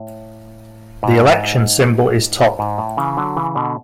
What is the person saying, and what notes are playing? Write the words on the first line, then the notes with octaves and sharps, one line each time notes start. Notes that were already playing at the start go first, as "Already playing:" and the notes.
The election symbol is top.
Already playing: A2
G#2
G#2
A2
C#3 E3
D3 F#3
C#3 E3
B2 D3